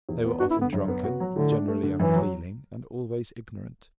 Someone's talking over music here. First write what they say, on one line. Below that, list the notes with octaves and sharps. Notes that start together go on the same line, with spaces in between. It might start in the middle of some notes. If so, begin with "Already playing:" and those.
They were often drunken, generally unfeeling, and always ignorant.
E2
B3
D4 F#4
E4
D3 B3
F#2
B3
F#4
F#3
A2 D3
D4
A3
D3
F#2 E3
F#3